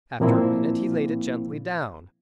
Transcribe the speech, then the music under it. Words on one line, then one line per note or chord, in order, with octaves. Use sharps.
After a minute he laid it gently down.
A#2 F3 A#3 C4 E4